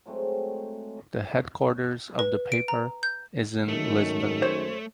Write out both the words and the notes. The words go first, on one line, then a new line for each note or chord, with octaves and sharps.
The headquarters of the paper is in Lisbon.
F#3 G#3 A3 C4
B4
D7
A#5
G6
F#2 D#3 G#3 A3
C5 C#5